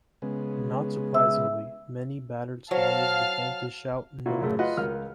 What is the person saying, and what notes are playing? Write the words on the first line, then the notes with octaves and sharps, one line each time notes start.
Not surprisingly many battered scholars began to shout 'no mas!
C#3 G#3 B3
E5 E6
F#3 C5 F5 A5 F6
A#2 E4 F#4
F#2 C#3 A3
F4 B4 D#5 F#5
C#2 A#4 F6